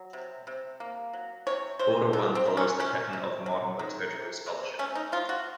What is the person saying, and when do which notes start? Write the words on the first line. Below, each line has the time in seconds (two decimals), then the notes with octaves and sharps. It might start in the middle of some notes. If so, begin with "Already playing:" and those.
Order One follows the pattern of modern liturgical scholarship.
Already playing: F#3
0.13 C3
0.47 C3
0.80 A#3
1.13 F#3
1.47 C3 C#5
1.79 C3 C5
2.13 F#3 A4
2.35 C4
2.46 D#3
2.57 C#4
2.80 C3 C#4
3.13 C3
3.46 F#3
3.79 D#3
4.13 C3
4.46 C3
4.79 A3 C#4
4.95 D#4
5.12 F3 F4
5.29 F#4